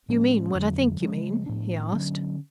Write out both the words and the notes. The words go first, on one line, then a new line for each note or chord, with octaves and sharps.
"You mean what I think you mean?" he asked.
A2 F3 G#3 C#4
F2 D3 F#3
C#3 F3 G#3
A2 F3 B3 D4
D3 F#3 C#4